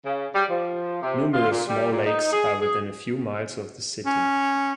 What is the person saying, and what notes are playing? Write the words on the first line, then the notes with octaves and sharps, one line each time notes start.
Numerous small lakes are within a few miles of the city.
C#3
G3
F3
C3
F4
A#2
G3
A#2
D#4
G#4
G#4
C#4